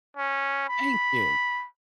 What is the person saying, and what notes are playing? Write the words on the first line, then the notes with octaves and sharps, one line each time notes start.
Thank you.
C#4
B5